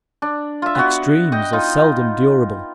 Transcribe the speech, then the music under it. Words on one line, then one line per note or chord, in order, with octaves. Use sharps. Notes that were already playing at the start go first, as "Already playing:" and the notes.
Extremes are seldom durable.
D4
F4 E5
B3 F#4
D#5 G5
D#4 F4